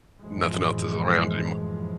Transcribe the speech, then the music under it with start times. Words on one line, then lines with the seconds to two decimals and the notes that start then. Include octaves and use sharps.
nothing else is around anymore.
0.19 F1 F#2 A2 E3 F3 G#3